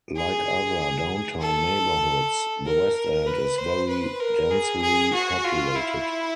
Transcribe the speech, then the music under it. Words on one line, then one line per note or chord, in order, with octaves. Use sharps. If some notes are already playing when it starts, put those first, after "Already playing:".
Like other downtown neighbourhoods, the West End is very densely populated.
G#4
A4
A#4
A#4
B4
C5
B4
A#4
G#4
G#4
F#4
F4
E4